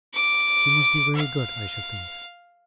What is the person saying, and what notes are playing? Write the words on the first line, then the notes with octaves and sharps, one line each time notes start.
He must be very good, I should think?'
D6
F5